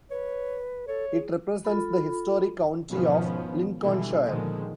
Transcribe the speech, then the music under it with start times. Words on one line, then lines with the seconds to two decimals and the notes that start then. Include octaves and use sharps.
It represents the historic county of Lincolnshire.
0.11 B4 C#5
0.88 A4 C#5
1.12 G#4
1.65 F4 A4 B5
2.90 G#1 B2 D#3 F3 B3 C#4
3.82 B2 D3 E3 G3
4.25 A#2 D3 D#3 F3 G#3